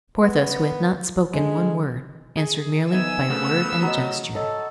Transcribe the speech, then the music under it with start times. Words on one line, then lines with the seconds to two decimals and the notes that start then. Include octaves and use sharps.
Porthos, who had not spoken one word, answered merely by a word and a gesture.
0.22 B3
1.34 D3 G#3
2.37 G#4
2.92 F2 B3 D#4 E5 G#5 E6
3.29 C#3 A3 B3 C5
3.82 F#3 C#5 D#5
4.35 A4 C#5 D#5